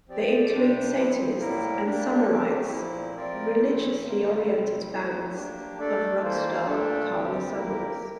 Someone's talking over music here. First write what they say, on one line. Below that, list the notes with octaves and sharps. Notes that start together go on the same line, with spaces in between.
They include Satanists and "Sommerites", religiously oriented fans of rock star Karla Sommers.
F3 C4 G4 D5
C3 G3 D4 G4 C5
F3 C4 E4
A2 G3 A#3 E4 A#4
A#3 D4 G4
F3 A3 C4 G4
A#2 F3 A#3 E4
F3 C4 F4 A#4 D5
A#2 F3 A3 E4
D3 G3 A#3 F4 A#4
C3 G3 C4 E4
F3 A3 E4
A#3 D4 G4
A3 D4 A4 D5
E3 A#3 F4 C5
A#2 A3 D4 F4 A4
D3 G3 C4 G4
A#3 E4 G4 A#4